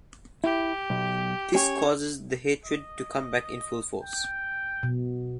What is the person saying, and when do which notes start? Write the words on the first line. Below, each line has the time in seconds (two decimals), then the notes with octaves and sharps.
This causes the hatred to come back in full force.
0.44 E4 G4
0.90 B1
1.55 C#4 G4 C#5
2.66 D#5
4.03 G5
4.83 B2